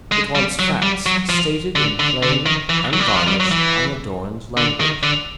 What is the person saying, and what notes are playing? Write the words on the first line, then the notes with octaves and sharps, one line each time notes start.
It wants facts stated in plain, unvarnished, unadorned language.
G#3
G3
F#3
G3
F#3
F3
D3
D3
D3
D#3
E3
F#3
G3
F#3
F3
G3
F#3
E3
D3
D#3
D3